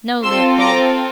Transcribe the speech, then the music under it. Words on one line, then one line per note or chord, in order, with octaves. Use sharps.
No, Leopold.
C4 F4 A4 C6 E6
A#5 D6